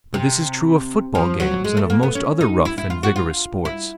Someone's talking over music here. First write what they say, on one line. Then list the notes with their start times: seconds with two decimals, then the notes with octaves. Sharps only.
But this is true of football games and of most other rough and vigorous sports.
0.14 C3
1.15 F3
1.40 F#3
1.65 G#3
1.77 A3
1.90 A#3
2.03 B3
2.15 C#4
2.41 D#4
2.65 E4
2.78 E4
2.90 F4
3.03 F#4
3.16 F4
3.65 E4